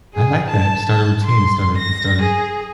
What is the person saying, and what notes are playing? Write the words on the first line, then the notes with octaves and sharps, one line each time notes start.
I like that. Start a routine. It started it started
G#4
A5
A5
C6
A#6
G#4